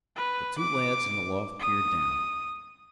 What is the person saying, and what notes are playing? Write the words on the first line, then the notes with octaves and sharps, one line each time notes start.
The two lads in the loft peered down.
B4
D6
D#6